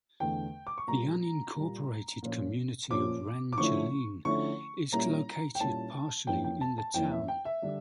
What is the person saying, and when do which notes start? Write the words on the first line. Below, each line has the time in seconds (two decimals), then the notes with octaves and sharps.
The unincorporated community of Rangeline is located partially in the town.
0.20 E2 D3 A3 G5
0.67 D6
0.78 C#6
0.88 A#2 G3 A#3 A#5
1.55 A#2 G3 A#3
2.23 A#2 F3 C#4
2.90 A#2 F3 C#4 D6
3.53 D6
3.58 D3 F3 A3 C#4 E4 C#6
4.25 D3 F3 A3 C#4 E4 C#6
4.92 A#2 G3 A#3 C#4 E4 A#5
5.55 G5
5.60 A#2 G3 A#3 C#4 E4 A5
6.27 F2 E3 A#3 C#4 E4 G5
6.44 G5
6.61 A5
6.78 A5
6.94 F2 E3 A#3 C#4 E4 G5
7.11 E5
7.28 G5
7.45 E5
7.62 D3 G3 D4